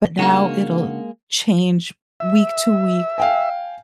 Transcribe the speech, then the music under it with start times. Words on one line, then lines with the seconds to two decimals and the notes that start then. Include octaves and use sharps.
But now it'll change week to week,
0.19 C#3 G#3 A#3 D4 F#4
2.20 E5
3.18 F5 G5 G#5